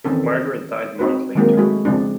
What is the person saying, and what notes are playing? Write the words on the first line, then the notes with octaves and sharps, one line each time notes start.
Margaret died a month later.
D#3 E3 C4 C#4 A4
C4 D#4 F#4 B4
D#3 F#3 G#3 A#3 C4 A#4
G#3 A3 E4 F#4
C#3 F3 G#3 C4 D4